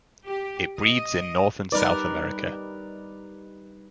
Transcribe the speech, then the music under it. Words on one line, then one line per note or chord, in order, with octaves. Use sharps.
It breeds in North and South America.
G4
D#5
G3 D#4 A#4 B4 D5